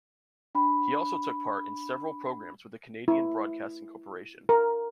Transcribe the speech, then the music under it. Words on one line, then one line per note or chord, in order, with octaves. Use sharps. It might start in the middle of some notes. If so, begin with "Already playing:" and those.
He also took part in several programs with the Canadian Broadcasting Corporation.
D4 B5
E4
A#4